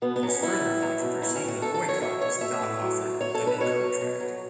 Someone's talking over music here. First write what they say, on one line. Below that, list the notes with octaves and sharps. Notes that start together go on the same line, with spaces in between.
There was further controversy when Boycott was not offered a new contract.
B2 B3
B3
F#3
C#4
E3 E4
A2
F#3
B2
A2 E4
C#4
A2
F#4
F#3 A4
A4
F#3
C#5
F#3 E5
B2 C#5
A2 E5
A2
F#3
F#3
F#3 C#5
A4
B2
B4
B2 C#5
F#3
B2
F#3